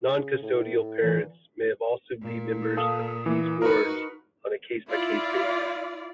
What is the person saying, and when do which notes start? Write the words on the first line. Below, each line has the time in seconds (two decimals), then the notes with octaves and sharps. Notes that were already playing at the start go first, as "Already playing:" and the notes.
Non-custodial parents may also be members of these wards on a case-by-case basis.
0.08 C#3
0.42 A2
1.01 A#2 E3
2.22 A#2
2.77 A4 F5 D#6
3.26 E3
3.62 D#4 F#4 A#4 B4
4.89 E4 F4 D5